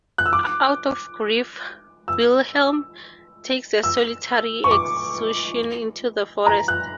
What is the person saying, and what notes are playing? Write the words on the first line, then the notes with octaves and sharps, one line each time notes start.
Out of grief, Wilhelm takes a solitary excursion into the forest.
F#6
E6
D6
E6
E6
C#6
D6
A#5
F#6